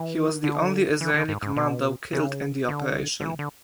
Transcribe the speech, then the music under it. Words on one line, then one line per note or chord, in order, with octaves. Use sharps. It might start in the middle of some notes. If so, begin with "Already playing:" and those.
He was the only Israeli commando killed in the operation.
Already playing: E3
D3
E3
D3
G#2
G#2
B2
C#3
D3
D3
E3
D3